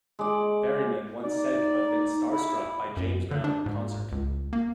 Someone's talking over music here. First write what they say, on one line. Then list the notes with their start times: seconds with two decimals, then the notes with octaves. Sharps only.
Berryman once said to have been starstruck by James Brown in concert.
0.19 G#3 D5
1.24 D#4 D5
2.31 E4
2.97 F#2
3.31 D3
3.44 D4
3.66 G#2
4.12 C#2
4.53 A#3